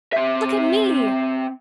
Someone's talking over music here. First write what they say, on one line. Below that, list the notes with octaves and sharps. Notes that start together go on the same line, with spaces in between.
"Look at me!"
C4 E5